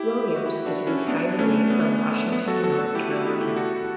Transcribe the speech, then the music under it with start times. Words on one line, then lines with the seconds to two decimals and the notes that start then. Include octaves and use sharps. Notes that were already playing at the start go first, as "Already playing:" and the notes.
Williams is a retiree from Washington, North Carolina.
Already playing: E4 G4
0.35 F#4
0.46 E4 G4
0.66 D4 F#4
0.87 C#4 E4
1.08 B3 D4
1.39 A3 C#4
1.70 B3
2.32 B3
2.48 F#4 A4
2.64 F#4 A4
2.79 F#4 A4
2.95 E4 G4
3.10 D4 F#4
3.25 E4 G4
3.41 E4 G4
3.56 F#4 A4